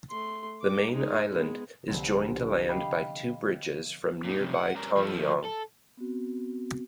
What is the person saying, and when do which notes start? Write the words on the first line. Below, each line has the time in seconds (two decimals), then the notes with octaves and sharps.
The main island is joined to land by two bridges from nearby Tongyeong.
0.10 A3 C6
0.61 D6
0.91 G#3 D#4
1.29 G#3 B3
1.88 C2 D3 F3 B3 C4
2.68 D#5 F5 G5 B5 C6 D6
4.25 A#2 D#4
4.40 F2 C3
4.54 F#5
4.76 G2 A#4
4.97 F3 A3
5.45 A4
5.97 B3 C4 F#4